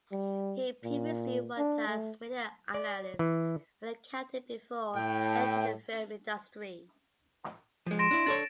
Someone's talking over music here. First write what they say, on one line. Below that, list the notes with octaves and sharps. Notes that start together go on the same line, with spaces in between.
He previously worked as media analyst and accountant before entering the film industry.
G3
A#2
D4
A3
D5
E3
A2 G5
F3 G#3
C6 A#6 D7 E7
D4 E4
D4 A4 C#5 A6